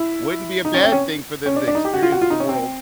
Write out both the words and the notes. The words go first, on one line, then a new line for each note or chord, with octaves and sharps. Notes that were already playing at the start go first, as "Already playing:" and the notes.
wouldn't be a bad thing for them to experience the world
Already playing: E4
D#4
C#4
C4
C#4
C#4
D4
D4
D#4
G4
F#4
F4
F#4
F4
D#4
C#4
C4